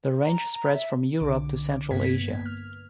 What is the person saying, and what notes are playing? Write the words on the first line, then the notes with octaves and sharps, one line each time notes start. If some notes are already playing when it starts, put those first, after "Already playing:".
The range spreads from Europe to Central Asia.
A#5
A#5
E5
B1 D3 D6
G2 A#3 B3 G#6 B6
F6